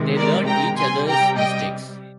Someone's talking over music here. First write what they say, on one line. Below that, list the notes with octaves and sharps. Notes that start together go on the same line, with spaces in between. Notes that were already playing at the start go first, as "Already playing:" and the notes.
They learn each other's mistakes.
Already playing: C3 D#3 G#3
A#4 D5
G5 A#5
C3 G3 G#5 C6
G5 A#5
D#5 G5